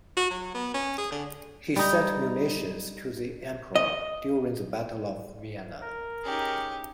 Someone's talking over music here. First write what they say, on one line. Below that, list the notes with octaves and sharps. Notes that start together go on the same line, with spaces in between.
He sent munitions to the Emperor during the Battle of Vienna.
F#4
F#3
B3
C#4
G#4
D3
G3 D#4
D#5
A#4
C#4 D#4 G4 G#4